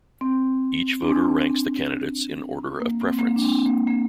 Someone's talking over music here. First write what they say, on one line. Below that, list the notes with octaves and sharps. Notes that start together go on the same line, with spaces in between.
Each voter ranks the candidates in order of preference.
C4
D4
C4
A#3
C4
A#3
G#3
D4
C4
A#3
A#3